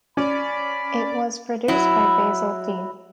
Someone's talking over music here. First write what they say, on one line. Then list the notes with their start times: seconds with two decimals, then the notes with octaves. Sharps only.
It was produced by Basil Dean.
0.17 C#4 D5 B5
1.68 F#3 E4